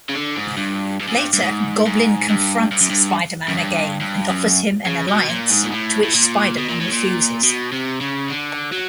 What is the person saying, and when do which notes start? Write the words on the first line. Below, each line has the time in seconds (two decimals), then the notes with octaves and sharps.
Later, Goblin confronts Spider-Man again and offers him an alliance to which Spider-Man refuses.
0.09 C#3
0.15 D3
0.36 G#2
0.57 G2
1.00 G2
1.08 F#2
1.16 G2
1.33 G2
1.43 G#2
1.86 G#2
2.29 G2
2.72 G2
2.81 F#2
2.90 G2
3.48 F#2
3.58 G2
4.01 G2
4.29 F#2
4.86 C#3
5.08 B2
5.29 A#2
5.50 G#2
5.64 A#2
5.72 A2
6.03 A2
6.15 A#2
6.58 B2
6.69 A#2
6.81 A2
6.92 A#2
7.44 B2
7.72 C3
8.01 C#3
8.30 D3
8.72 F#3